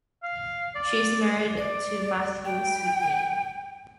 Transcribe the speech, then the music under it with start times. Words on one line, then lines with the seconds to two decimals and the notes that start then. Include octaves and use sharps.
She is married to Mathieu Sweeney.
0.23 F5
0.75 D5
1.57 D5
2.45 G5